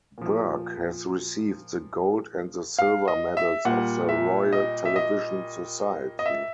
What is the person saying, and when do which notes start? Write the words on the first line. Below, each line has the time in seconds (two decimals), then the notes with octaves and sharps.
Burke has received the gold and the silver medals of the Royal Television Society.
0.18 A#2 F3
2.79 F5
3.08 D#5
3.37 E5
3.65 A#2 G3 F#5
4.09 E5
4.53 D#5
4.85 E5
4.96 D#5
6.19 D#5
6.26 E5